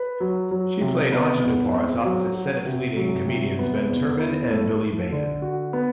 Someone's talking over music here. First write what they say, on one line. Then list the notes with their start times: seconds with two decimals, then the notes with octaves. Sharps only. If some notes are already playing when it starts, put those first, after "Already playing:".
She played ingenue parts opposite Sennett's leading comedians, Ben Turpin and Billy Bevan.
Already playing: B4
0.20 F#3
0.51 F#3
0.81 C3
1.12 B3
1.44 E2
1.73 C4
2.04 F#3
2.35 F#4
2.66 C3
2.96 F#3
3.27 C3
3.59 B3
3.89 E2
4.20 E4
4.50 A3
4.81 A4
5.12 D3
5.42 F#4
5.73 B3